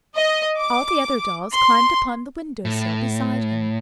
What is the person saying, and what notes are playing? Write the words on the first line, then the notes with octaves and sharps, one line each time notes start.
All the other dolls climbed upon the window sill beside him.
D#5
D6
C6
A2